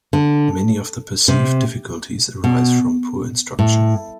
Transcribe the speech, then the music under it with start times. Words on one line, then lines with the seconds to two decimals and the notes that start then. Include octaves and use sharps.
Many of the perceived difficulties arise from poor instruction.
0.13 D3
1.28 C3
2.44 B2
3.59 A2